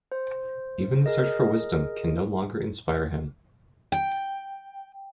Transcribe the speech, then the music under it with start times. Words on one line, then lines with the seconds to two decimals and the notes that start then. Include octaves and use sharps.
Even the search for wisdom can no longer inspire him.
0.12 C5
1.06 G#4 A#4 D#5
3.92 G5